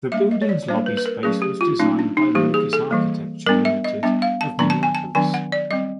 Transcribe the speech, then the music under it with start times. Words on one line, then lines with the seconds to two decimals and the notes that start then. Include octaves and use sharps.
The building's lobby space was designed by Locus Architecture, Limited, of Minneapolis.
0.12 G3 A#3 D4 E5
0.31 D#5
0.42 C#5
0.49 D5
0.68 G3 A#3 D4 C5
0.86 B4
0.97 B4
1.06 A#4
1.23 F#3 A3 C#4 G#4
1.42 G4
1.61 F4
1.79 F#3 A3 C#4 D#4
1.99 D4
2.17 D#4
2.35 E3 G3 A#3 G4
2.54 G#4
2.73 A4
2.91 E3 G3 A#3
3.46 G3 B3 D4 A#4
3.65 E5
3.84 D#5
4.03 G3 B3 D4 E5
4.22 F5
4.41 A5
4.59 D#3 F#3 B3 D4 A#5
4.70 A5
4.83 G#5
4.95 A5
5.15 D#3 F#3 B3 D4 G#5
5.34 F#5
5.52 D5
5.71 G3 C4 D#5